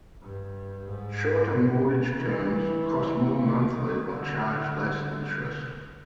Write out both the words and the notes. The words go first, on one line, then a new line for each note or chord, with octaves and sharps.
Shorter mortgage terms cost more monthly but charge less interest.
G2
G#2
A#2
B2
E3
D#3
D3